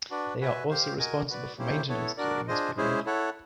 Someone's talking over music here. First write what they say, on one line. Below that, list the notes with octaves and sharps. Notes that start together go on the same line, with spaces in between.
They are also responsible for maintenance during this period.
D4 F#4 B4 D5
F#4 B4 E5 G#5
G4 C5 F5
F#4 A#4 D#5 G#5
F#4 B4 D5
A#3 C#4 E4 G4 C5
B3 E4 A4 C#5
D4 F#4 A#4 D5
D4 F4 G#4 C5 D#5
G#3 C#4 E4 G#4 C5
E4 A4 C#5 F#5